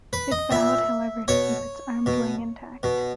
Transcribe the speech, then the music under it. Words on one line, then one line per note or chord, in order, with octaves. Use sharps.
It vowed, however, to keep its armed wing intact.
B4
D#5
A#2 E5
B2 C#5
B2
B2